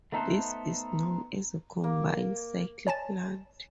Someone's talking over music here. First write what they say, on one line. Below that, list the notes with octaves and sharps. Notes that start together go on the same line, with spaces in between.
This is known as a combined cycle plant.
A3 B3 D#4 A4 B4 C5
A#3
C#5 G#5 A5 A6